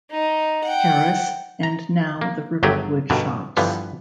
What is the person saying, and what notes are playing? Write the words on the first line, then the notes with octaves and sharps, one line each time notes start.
Harris and now The Riverwood Shops.
D#4
F#5 G5
A#5
A#3
G1 D3 F#3 A3 G4 G#4
G2 B2 D3 D#3
G2 D3 E3 F3 B3